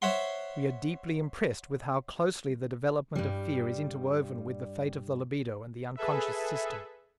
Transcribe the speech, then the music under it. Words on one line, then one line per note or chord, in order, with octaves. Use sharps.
We are deeply impressed with how closely the development of fear is interwoven with the fate of the libido and the unconscious system.
C5 C#5 E5 F#5 C6
G2 G3
G#4 A4 B4 E5